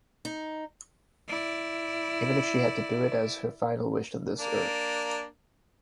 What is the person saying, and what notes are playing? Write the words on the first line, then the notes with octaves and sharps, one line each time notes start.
Even if she had to do it as her final wish on this earth.
D#4
E4 D5
A#3 D4